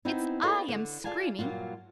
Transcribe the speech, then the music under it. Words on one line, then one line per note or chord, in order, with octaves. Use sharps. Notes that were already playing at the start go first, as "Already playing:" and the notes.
It's I am screaming.
B3 C4 D#4 E4
F4 G#4 A4 B4 C#5 D#5
D3
F4 G#4 D5 F5 G#5 A5
G2 A#2 F#3 F4